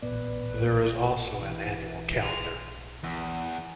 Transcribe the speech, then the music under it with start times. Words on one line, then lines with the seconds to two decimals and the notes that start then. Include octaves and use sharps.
There is also an annual calendar.
0.02 D#1 A1 A#2 B3 B4 D5
1.41 E3
2.20 G#3 F6
3.04 E2